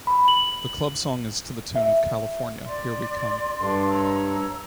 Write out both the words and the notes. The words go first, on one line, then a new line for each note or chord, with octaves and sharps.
The club song is to the tune of "California Here We Come".
B5
F#7
E5
D5 C6
G2 A4 D5 F5
C#5 A#5 E6